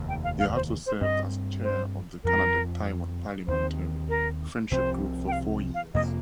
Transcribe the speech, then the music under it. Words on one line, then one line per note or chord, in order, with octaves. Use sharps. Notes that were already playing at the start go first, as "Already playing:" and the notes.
He also served as chair of the Canada-Taiwan Parliamentary Friendship Group for four years.
Already playing: F1 D#2 D#3
G5
F5
F5
C5
C5
G2 G3 C4 D#5
C5
F2 F3 C4 A#4
D#2 D#3 C4 C5
A#4
C2 C3 F3 C4 C5
G5
F5
F5
F2 C3 F3 A#3 D#5